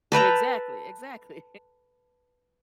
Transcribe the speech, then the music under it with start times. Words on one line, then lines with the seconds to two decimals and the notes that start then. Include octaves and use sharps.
Exactly, exactly.
0.12 A4 B4 G5 A#5